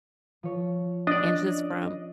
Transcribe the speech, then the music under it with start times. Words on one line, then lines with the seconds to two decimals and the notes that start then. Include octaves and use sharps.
And just from
0.43 F3 C#5
1.07 C#4 D4 D5 D#5